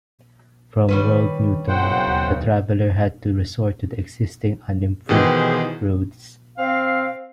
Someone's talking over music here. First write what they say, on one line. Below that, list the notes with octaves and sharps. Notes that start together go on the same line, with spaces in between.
From Wold Newton, the traveller had to resort to the existing unimproved roads.
D#3 G3 C#4 B4
F#1 B1 A#2 C#3 C5 F#5 G5
D#2
B2 D#3 E3 G4 G#4 C5
C4 F5